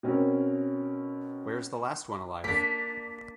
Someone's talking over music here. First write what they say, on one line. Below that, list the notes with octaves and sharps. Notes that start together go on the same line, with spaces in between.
Where’s the last one alive?
B2 C4 C#4 A#4
A#3 D4 B6